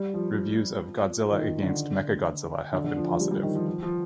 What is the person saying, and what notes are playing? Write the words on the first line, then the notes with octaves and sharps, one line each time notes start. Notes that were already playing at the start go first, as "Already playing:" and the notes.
Reviews of "Godzilla Against Mechagodzilla" have been positive.
Already playing: G3
F3
D#3
D3
D3
D3
F3
F3
G3
G3
D#3
F3
F3
F3